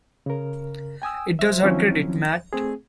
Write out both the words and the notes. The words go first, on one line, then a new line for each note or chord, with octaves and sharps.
It does her credit, Mat!
C#3 A#4
G5 G#5 D#6 E6
C5 E5
D#3 F3 F#3 C4 C#4 E4
A3 C4 G#4